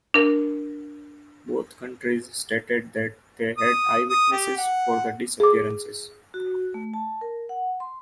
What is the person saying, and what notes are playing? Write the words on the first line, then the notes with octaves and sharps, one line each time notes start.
Both countries stated that they had eyewitnesses for the disappearances.
D4 A#4
D#6
D#6
G4
F#5
G#4 D6
F#4
A3
A5
A#4
F#5
C6